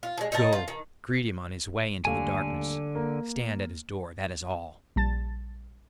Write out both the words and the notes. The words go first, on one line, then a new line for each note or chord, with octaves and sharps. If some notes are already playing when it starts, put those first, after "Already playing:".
Go, greet him on his way into the darkness--stand at his door, that is all....
F4
F3 G#3
D#4 F4 A#4 A5
F4
D#3
D#1 D3 A3 F5 G#5
A#3
A#1 G3 A5 A6